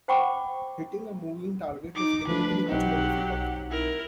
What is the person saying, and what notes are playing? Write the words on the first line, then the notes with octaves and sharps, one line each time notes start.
Hitting a moving target is technically much more difficult.
C5 F#5 G5 B5 C#6 D6
D#4 D6
E3 F3 A3 D4 B4
B1 F#3 C4 D#4 G4 F#5
E4 A#4